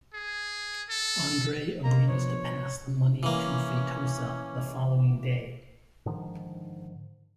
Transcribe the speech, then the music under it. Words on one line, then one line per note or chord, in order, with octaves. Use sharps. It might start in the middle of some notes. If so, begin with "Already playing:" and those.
André agrees to pass the money to Feitosa the following day.
G#4
A4
A#3 A#4 D#5 A#5
B2 F3 D4 C#5
E3 A#3 C#4
G#2 D3 D#3 F3